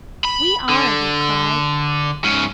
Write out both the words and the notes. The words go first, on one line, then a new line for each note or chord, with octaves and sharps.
"We are!" they cried.
B5
D3
G#2 C#4